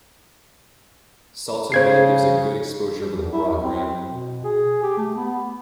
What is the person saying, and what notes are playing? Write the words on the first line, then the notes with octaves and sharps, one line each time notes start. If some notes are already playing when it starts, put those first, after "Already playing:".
Saltom Bay gives a good exposure of the Brockram.
C#3 C5 G#6 C7
E2
E4
E2
C4
B2
G#4
G4
A3
B3